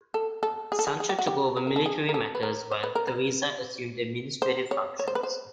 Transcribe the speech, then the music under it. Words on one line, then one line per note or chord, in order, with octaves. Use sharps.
Sancho took over military matters, while Theresa assumed administrative functions.
A4
A4
G#4
A4
G#4
G#4
G4
F#4
G4
B4
A#4
A4
G#4
A#4
A4
B4
A#4
C5
B4
A#4
B4
C5
C#5
C#5
C5
B4
C5